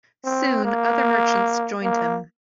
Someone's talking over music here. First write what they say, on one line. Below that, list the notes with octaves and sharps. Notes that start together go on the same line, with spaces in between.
Soon other merchants joined him.
C4
A#3
A#3